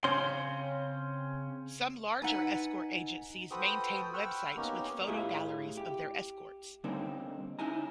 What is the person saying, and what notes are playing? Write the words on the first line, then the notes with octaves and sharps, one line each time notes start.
Some larger escort agencies maintain websites with photo galleries of their escorts.
C#3 C4 C#4 C6
D#4 B4 F#5 G#5
F#4 A4 B4 C5 G5 D#6
F#5 G5 B5 C#6 E6 F6
A#3 B3 C#4 D#4 G4 A#4
A2 E4 F4 G4 G#4
G4
D3 G3 A#3 C4 C#4 D#4
C#4 D#4 E4 G#5 A#5